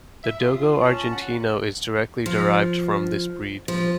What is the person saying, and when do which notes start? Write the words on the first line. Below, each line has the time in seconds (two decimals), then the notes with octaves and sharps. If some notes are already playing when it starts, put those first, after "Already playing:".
The Dogo Argentino is directly derived from this breed.
0.23 E5
0.40 F4 D#6
0.82 C#4 A5
1.13 F#5
2.26 F3
3.68 F3